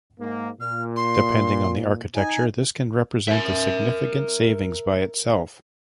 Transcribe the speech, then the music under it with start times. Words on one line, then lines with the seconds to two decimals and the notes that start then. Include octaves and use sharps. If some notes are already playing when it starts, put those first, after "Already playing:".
Depending on the architecture, this can represent a significant savings by itself.
0.20 G#2 A#3
0.61 A#2 F6
0.96 C6
2.15 D#4 G#5
3.28 A#4 E5